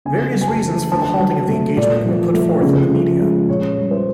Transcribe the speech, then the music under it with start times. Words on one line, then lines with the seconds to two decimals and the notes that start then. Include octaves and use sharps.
Various reasons for the halting of the engagement were put forth in the media.
0.05 C#3 G#5
0.34 F#3
0.41 G#5
0.48 A5
0.63 A3
0.91 D3 A5
1.20 F#3
1.48 A3
1.77 A#2 D5
2.06 F3
2.34 A3
2.62 C#3
2.91 F3
3.19 G#3
3.49 A#2 C#5
3.77 G3
3.91 C5